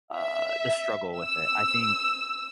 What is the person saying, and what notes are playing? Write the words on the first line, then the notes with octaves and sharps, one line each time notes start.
uh the struggle with it. I think
E5
E6